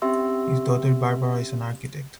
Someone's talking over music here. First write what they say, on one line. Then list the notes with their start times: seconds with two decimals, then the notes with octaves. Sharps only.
His daughter Barbara is an architect.
0.02 C4 C#4 G4 E5 C6 E6